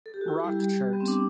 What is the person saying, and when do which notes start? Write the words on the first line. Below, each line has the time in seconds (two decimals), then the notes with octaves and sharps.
Rock Chart.
0.06 A4
0.14 G4
0.21 F#4
0.28 E4
0.44 G3 G4
0.59 G3 G4
0.93 B3
1.00 C4
1.08 D4